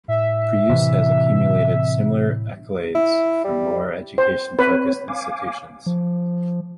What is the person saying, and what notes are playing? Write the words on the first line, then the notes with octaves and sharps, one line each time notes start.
Preuss has accumulated similar accolades from more education-focused institutions.
A2 E5
C3 E3
E4
G3
C5
C4 B4 C#5
F5 G#5 D6
F3